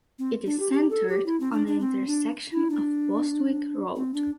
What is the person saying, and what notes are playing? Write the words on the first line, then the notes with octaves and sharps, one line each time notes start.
It is centered on the intersection of Bostwick Rd.
C4
D4
G4
G4
A4
G4
E4
C4
D4
D4
C4
D4
E4
D4
C4
D4